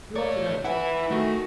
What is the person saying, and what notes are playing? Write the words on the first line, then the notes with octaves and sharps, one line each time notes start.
You ought to know Tifto.
A3 C#5 D5
E3 E4 F#5
D#3 A3 F#4